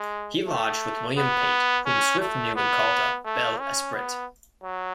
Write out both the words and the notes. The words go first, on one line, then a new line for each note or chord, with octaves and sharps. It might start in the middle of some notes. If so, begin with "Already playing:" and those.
He lodged with William Pate, whom Swift knew and called a "bel esprit".
Already playing: G#3
A3
B3
C#4
A3
B3
A3
C#4
B3
F#3